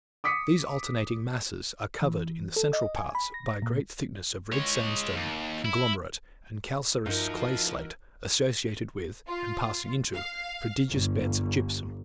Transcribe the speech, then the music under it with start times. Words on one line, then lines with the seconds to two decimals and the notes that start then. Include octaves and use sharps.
These alternating masses are covered in the central parts, by a great thickness of red sandstone, conglomerate, and calcareous clay-slate, associated with, and passing into, prodigious beds of gypsum.
0.24 D6 D#6 B6 C#7
2.02 E3
2.56 A4
2.73 D#5
2.96 G#5
3.15 B5
3.34 A#6
3.62 A#2
4.52 G#3 C#5
5.15 D#2
5.65 E4
7.06 G2 F3 D#4 E4 F#4 A#4
9.27 F4
10.13 F5
10.90 G1